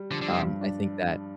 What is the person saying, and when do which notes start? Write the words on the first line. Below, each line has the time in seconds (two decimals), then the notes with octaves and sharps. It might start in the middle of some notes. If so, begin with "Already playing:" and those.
um, I think that
Already playing: G3
0.11 D3 F3
0.21 D3
0.27 G2
0.33 C3
0.45 G2
0.61 D4